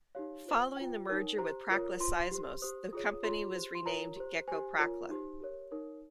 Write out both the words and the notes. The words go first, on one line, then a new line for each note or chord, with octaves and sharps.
Following the merger with Prakla-Seismos the company was renamed Geco-Prakla.
D#4 G4 C#5 F5
F4 C5
F4 C5 G5
D#4 A#4 C#5
G4 C5 A#5
F4 A#4 C#5
F4 C5 C6
G4 C5
G4 C5 D#6
F4 G#4 C#5 D#6
D#6
F4 G#4 C#5 C6
G4 C5
C6
F4 A#4 C#5 A#5
G4 C5
G4 C5 G#5
F4 A#4 C#5
D#4 G4 C5
G4 A#4 C#5
D#4 A#4 C#5